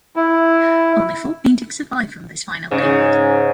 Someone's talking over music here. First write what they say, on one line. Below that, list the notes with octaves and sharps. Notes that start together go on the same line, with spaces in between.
Only four paintings survive from this final period.
E4
G#2 C#3